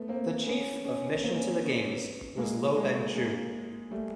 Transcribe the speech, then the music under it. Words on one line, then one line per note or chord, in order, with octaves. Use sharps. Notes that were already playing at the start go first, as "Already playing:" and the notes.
The Chief of mission to the games was Low Beng Choo.
Already playing: A3 B3
A#3 C4
B3 C#4
B3 C#4
A#3 C4
B3 C#4
B3 C#4
G#3 A#3
G#3 A#3
G#3 A#3
G3 A3